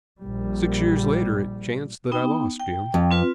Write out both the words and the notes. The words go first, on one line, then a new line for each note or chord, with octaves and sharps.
Six years later it chanced that I lost Jim.
A#1 G3
B3 D#4 G5
G5
F2
C4 F4 B4